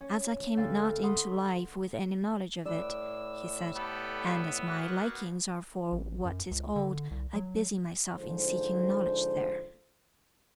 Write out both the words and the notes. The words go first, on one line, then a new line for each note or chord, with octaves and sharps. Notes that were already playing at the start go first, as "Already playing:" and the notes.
"As I came not into life with any knowledge of it," he said, "and as my likings are for what is old, I busy myself in seeking knowledge there."
C#4
D2 A4 F5
F#5 B5 C6 D#6
A2 B4 D5 E6
B3 G4 A4 B5
A#3 F#4
A1
F#2
C#2
D3
C2
F#3
G#2 D3 F3 C5